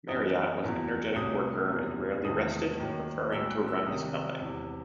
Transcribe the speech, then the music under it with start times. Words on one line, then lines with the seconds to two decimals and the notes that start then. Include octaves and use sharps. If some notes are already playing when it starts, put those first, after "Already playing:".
Marriott was an energetic worker and rarely rested, preferring to run his company.
0.08 F#2 E3 B3 D#4 D#6
0.62 F#1 E2 B2
1.16 C2 C3 F#3 A3 D#6
1.70 F#1 E2 B2 G3 C4
2.24 E1 E2 C3 D#3 A3 D#6
2.78 D#2 D#3 F#3
3.32 B1 A2 F#3 E6
3.50 F#6
3.68 E6
3.86 C2 C3 D#3 D#6
4.40 E1 E2 C3